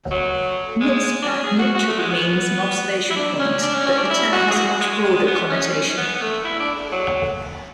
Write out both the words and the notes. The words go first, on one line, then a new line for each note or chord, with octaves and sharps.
"Mitzpeh" literally means an observation point but the term has a much broader connotation.
F#3
G#3
D4
C#4
G#4
F#4
F#4
A3
G#3
B3
E4
D4
C#4
D4
C#4
C#4
D4
E4
F#4
G#4
F#4
F#4
G#3
G#3
G#3
B3
C#4
C#4
B3
B3
A3
E4
D4
F#3